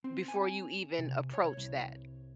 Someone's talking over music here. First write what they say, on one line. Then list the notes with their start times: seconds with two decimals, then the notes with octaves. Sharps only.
before you even approach that.
0.04 C4
0.28 G#5
0.98 C3
1.33 C#5
1.57 C2